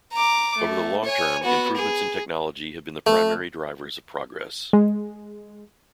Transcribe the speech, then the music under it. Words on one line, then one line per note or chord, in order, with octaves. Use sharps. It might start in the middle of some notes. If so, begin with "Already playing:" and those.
Over the long term, improvements in technology have been the primary drivers of progress.
A#5 D6
A3
C#5 G#5
B3 F#4
G#4
A3
G#3